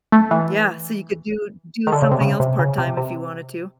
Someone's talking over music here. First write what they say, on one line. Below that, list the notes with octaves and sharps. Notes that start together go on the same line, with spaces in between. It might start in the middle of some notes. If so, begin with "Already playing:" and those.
yeah, so you could do do something else part-time if you wanted to.
A3
E3
D#3
D3
C#3
C3
C#3
C3
C#3
C3
C3